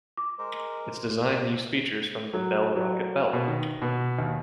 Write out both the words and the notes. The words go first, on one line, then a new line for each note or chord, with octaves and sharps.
Its design used features from the Bell Rocket Belt.
D6
G#3 A#4 C5
F#3
F#3
B2
D#3
B2
D#2